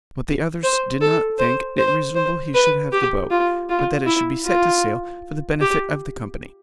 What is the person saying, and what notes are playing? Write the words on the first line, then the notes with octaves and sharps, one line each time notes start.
But the others did not think it reasonable he should have the boat, but that it should be set to sale for the benefit of the company.
C5
A4
C5
C5
C5
B4
G4
F4
F4
E4
F4
G4